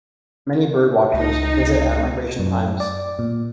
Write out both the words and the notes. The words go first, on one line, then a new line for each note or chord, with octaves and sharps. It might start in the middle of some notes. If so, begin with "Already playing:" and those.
Many Bird watchers visit at migration times.
C#2 D#4
F#2
D5
A#2